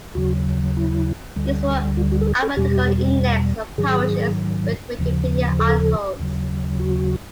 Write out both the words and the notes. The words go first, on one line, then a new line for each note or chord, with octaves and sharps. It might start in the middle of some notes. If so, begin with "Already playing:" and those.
Use for an alphabetical index of parishes with Wikipedia articles.
D#2 C#3 F#3 F#4
E4
D2 D3 G3
F4
F#4
A4
G#4
A4
E2 B2 G3 G4
G#2 D#3 F#3 G#4
D#2 C#3 F3
A4
D#2 C#3 F#3
F#4